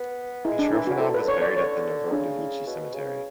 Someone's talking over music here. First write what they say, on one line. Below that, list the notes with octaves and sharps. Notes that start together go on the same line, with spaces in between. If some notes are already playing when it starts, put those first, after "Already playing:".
Mitrofanov was buried at the Novodevichy Cemetery.
Already playing: B3
G#3 E4
D4
E3 E4
F#4
D3 A4
B4
C#5
D5
C#5
C#3 D4
E4
B2
C#3